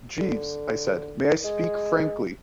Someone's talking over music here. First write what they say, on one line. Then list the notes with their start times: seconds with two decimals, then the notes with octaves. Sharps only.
"Jeeves," I said, "may I speak frankly?"
0.19 D3
1.44 G#3